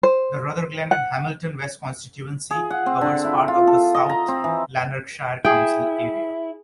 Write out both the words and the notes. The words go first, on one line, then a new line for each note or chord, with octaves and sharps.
The Rutherglen and Hamilton West constituency covers part of the South Lanarkshire council area.
C5
F#5
G#4
F#5
C4
D3
E4
F4
A4
D#5
A#5
C4
E3
E4 G#4 G5